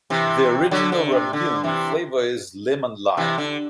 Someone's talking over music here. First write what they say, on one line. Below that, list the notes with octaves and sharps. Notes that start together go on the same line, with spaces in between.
The original ramune flavor is lemon-lime.
C3 E3
D3 F#3
D3
C3
D3
C3 E3
C3 E3
D3